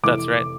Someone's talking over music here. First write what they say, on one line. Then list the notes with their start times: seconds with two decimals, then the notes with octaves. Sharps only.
That's right.
0.03 F1 E3 D6